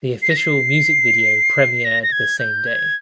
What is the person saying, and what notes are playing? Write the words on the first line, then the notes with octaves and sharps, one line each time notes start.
The official music video premiered the same day.
C7
A#6
C7
A#6
A#6
G#6
G6
G#6